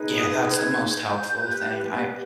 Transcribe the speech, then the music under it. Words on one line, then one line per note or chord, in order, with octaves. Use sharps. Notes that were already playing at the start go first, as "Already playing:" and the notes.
Yeah, that's the most helpful thing. I
Already playing: D#4 G#4 B4
D#6
G#6
G6
G4 B4